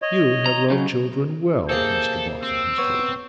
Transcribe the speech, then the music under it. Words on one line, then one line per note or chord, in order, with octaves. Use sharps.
You have loved children well, Mr Boffin has told me.'
C#5 D#5
A#5
C#3 F#3
C3 A#3 G#4 A4 G6
C4 E6
B3 C#5